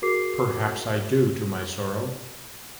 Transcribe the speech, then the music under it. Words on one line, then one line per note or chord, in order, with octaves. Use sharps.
Perhaps I do, to my sorrow.
F#4 G#4 A#4 D6 C7